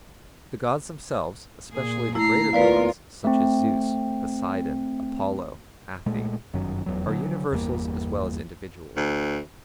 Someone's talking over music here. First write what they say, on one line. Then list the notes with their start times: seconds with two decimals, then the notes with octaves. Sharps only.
The Gods themselves, especially the greater Gods, such as Zeus, Poseidon, Apollo, Athene, are universals as well as individuals.
1.73 A#2 G#4
2.15 A3 E4 A#5 C7
2.53 D#2 B3 F4 A#4 B4 D5 F5
3.24 A3 C4
6.06 A#2 G#3 A3
6.53 G1 F#2 D#3 F#3
6.86 F1 E2 F#3
7.06 D3 D#3 F#3
7.51 G1 E2 G3 A#3
8.97 D2